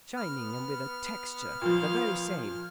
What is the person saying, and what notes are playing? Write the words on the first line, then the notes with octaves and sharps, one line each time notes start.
Shining and with a texture--the very same.
B3 F6
A#2 F3 F5